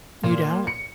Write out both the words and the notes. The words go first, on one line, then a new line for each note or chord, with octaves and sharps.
You don't?
A#2
C#7